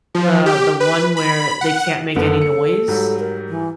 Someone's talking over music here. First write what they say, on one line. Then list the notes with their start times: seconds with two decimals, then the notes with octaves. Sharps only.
The The one where they can't make any noise.
0.15 F3
0.46 G4
0.80 B4
1.17 B5
1.61 F#5
2.16 F#1 D3 B3 A4
2.42 C#7
2.88 G#2 F#3 G3
3.19 A#4
3.49 E3